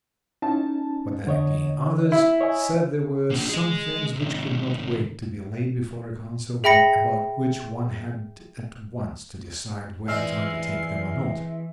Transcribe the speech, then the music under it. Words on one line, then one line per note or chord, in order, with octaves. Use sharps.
But then again others said there were some things which could not wait to be laid before a Council, but about which one had at once to decide whether to undertake them or not.
C#4 D#4 A5
D3 C#5 D#5
E4
C#5 D#5 G#5
A#3 D4
G#4 D#5
C3 D#3
G#4 E5 G5 B5 A#6 C#7
E3 G#3 C4 D5 E6 F6 C7